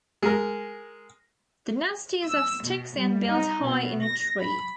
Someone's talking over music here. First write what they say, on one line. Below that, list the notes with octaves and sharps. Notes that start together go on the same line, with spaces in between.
The nest is of sticks and built high in a tree.
G#3 A#4
E6
B2
G3
D#4
B2
A#6
B5